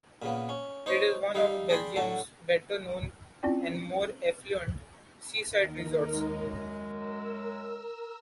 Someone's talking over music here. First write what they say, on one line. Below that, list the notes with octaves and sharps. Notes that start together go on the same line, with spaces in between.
It is one of Belgium's better-known and more affluent seaside resorts.
A#2 C#3 B3
C#4
D#4 C5 C#5
G3 D#4 E5 F5
D4 G#4 D5 G5 B5 C6
A2 D3 F#3 A4
C4 C#4 E4 F4 D5 G5
D#2 D#4 A#4
F#2 G#3
A#4 E6